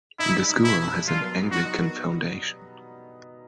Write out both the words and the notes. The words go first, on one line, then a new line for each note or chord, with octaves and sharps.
The school has an Anglican foundation.
D#4 E4
G3
D#4
B2 E4
D#4
G3
F#3 F4
B3
D#4
F#3 F#4
D#4
B3